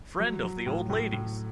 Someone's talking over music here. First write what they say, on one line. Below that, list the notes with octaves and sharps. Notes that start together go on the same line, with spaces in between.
Friend of the old lady's.
F#3
F#3
A2
A2
A2